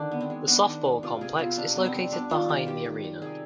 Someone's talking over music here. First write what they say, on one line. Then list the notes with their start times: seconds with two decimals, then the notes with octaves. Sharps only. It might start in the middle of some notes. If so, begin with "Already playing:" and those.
The Softball Complex is located behind the arena.
Already playing: D3 D#3 D4
0.11 B3
0.21 C4
0.30 G#3
0.47 B3 D4
0.66 D#3
0.85 G#3
1.03 C3 F4
1.21 C3 G#4
1.39 B3 F4
1.57 C3 D4
1.76 B3
1.85 C4
1.95 G3
2.12 B3 D4
2.31 D#3 F4
2.49 D#3 G4
2.67 D#3 G4
2.86 D#3
3.04 G3
3.22 C3 G#4